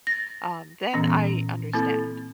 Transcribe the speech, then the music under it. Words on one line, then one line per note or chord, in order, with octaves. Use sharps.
um, then I understand.
A6 A#6
A#2 E3 B3 C#4
A#3 C4 E4 A4